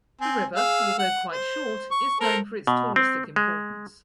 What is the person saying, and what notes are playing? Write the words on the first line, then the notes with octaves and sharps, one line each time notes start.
The river although quite short is known for its touristic importance.
C4 G#5
G#4 F5 E6
F#5
C5
C#6
A4 A#4 C5
B2
C4
G#3